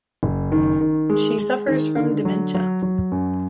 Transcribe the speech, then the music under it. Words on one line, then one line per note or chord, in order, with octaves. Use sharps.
She suffers from dementia.
F#1
D#3
D#3
G#3
G#3
D#3
D3
F#3
F#3
F#3
F#2